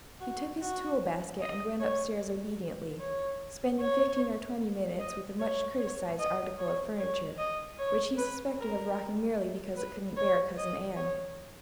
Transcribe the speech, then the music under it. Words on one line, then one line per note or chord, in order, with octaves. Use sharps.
He took his tool basket and went upstairs obediently, spending fifteen or twenty minutes with the much-criticised article of furniture, which he suspected of rocking merely because it couldn't bear Cousin Ann.
F#4
F#4
D#5
C#5
C#5
C#5
D#5
C#5
C#5
D#5
C#5
C#5
D#5
C#5
B4
A#4
B4
C#5
D#5
C#5